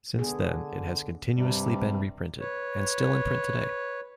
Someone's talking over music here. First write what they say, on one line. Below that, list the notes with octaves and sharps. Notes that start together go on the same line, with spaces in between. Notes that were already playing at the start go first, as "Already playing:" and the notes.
Since then, it has continuously been reprinted and still in print today.
D3 B3 G#4
G2 C3 G3
B4 C#5